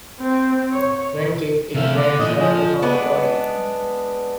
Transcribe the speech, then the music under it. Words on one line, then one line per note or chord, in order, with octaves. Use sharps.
When kicked, it bends away from the body.
C4
C#5
C3 E5 F5
D3 D5
A#2 E3 D#5
F3 G#3
G#3 B3 D4